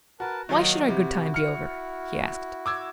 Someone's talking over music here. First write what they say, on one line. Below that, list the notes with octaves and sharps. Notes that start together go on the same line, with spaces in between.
"Why should our good time be over?" he asked.
F#4 A#4 B4 A5
D#3 F#3 A#3 D#4 F#4
C3 E4 F#4
F6 C#7
D6 E6 G#6